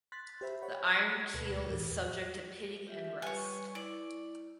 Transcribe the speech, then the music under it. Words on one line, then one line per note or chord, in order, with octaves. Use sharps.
The iron keel is subject to pitting and rust.
C6 F#6 A6 B6
G4 C5 E5 B5
C#5 F#5 B5
D2 B2 A4 B4 C#7
E2 A2
F4 G4 E5
G3 B4 C#5 G#5
E4 D5